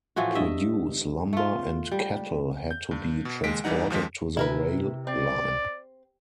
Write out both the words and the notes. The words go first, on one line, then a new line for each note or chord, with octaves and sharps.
Produce, lumber, and cattle had to be transported to the rail line.
A2 E3 F3 F#4
G2 D#5 E5
A3 F4
G3
G6
G2
B2
D#2 G#3 B6 D7
E2 E3 G3 D#4 F#5
D#2 F3 G#3 B6
C3 E4 A#4 B4
C4 D5